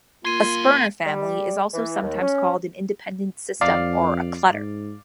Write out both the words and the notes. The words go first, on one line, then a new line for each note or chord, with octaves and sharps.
A Sperner family is also sometimes called an independent system or a clutter.
F#2 A#3 F4 C6 G#6 C7 D#7
G3
E3
D#2
C#4
F2 D5 F5
G#2